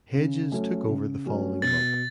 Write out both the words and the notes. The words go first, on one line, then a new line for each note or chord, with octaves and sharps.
Hedges took over the following month.
C#3
F#3 A3 C#4
C#3
F#3 A3 C#4
B2 A6